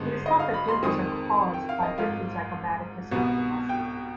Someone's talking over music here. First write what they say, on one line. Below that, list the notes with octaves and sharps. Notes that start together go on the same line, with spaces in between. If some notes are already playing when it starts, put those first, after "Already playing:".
It is thought that dimples are caused by bifid zygomaticus major muscle.
Already playing: G#1 G2 D3 G#3 B3 C5
D#5
F5
B5
C6
F2 D#3 G#3 C4 D#6
G5
F5
D#5
G#1 G#2 F3 F5
C2 B2 B3
G5